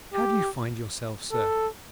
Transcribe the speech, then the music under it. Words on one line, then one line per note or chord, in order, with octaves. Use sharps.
How do you find yourself, sir?'
G4
A4